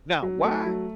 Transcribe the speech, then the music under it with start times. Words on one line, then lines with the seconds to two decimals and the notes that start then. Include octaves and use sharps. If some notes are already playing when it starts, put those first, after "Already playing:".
Now, why
0.23 F#3
0.44 A3
0.65 F#3